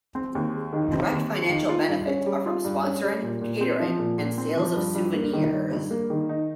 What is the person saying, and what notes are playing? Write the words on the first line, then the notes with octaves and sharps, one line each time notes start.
Direct financial benefits are from sponsoring, catering and sales of souvenirs.
C4
D#2
G#3
D#3
C4
D#2
G#3
D#3
F4
G2
C#4
G3
F4
G2
C#4
G3
A#2
A#2
C4
F3
A#2
A#2
C4
F3
G2
G2
A#3
D#3
G2
G2
A#3
D#3
D#4